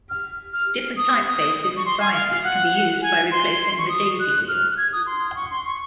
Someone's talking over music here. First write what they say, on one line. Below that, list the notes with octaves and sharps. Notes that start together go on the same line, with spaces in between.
Different typefaces and sizes can be used by replacing the daisy wheel.
F6
F6
D#6
D#6
C#6
C6
G#5
F5
F5
F#5
G#5
C6
C#6
D#6
F#6
F6
F#6
G#6
D#6
C6
C#6
C6
C#6